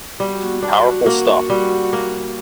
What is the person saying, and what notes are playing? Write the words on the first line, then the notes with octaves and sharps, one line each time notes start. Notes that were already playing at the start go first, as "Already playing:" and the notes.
Powerful stuff.
G3 F#4
D4
A#3
G3
A#3